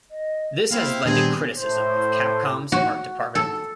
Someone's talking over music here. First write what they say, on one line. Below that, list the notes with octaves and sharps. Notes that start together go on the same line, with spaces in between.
This has led to criticism of Capcom's art department.
D#5
A#3 E4 C5 F5 G5
A#2 D#3 G3 B3 C4 D4 G4 G#4
A2 C5
F#4
A4